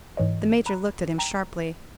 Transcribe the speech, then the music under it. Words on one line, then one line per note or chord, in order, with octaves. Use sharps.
The Major looked at him sharply.
G#2 E3 C#5 D#5
A#5 B5 F#6
G5 A#5